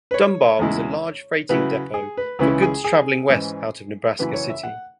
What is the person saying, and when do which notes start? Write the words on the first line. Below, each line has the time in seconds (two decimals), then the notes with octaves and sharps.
Dunbar was a large freighting depot for goods traveling west out of Nebraska City.
0.11 B4
0.14 C#5
0.59 E2 C#3 G#3 E4
1.49 C#3 F#3 E4 B4
1.94 G#4
2.17 B4
2.39 C#2 C#3 E3 C#4 E4 B4
2.62 G#4
2.84 G#4
3.29 G#2 E3 C#4
4.19 F#2 C#3 E3 C#4 E4 B4
4.34 C#5
4.49 E5
4.63 F#5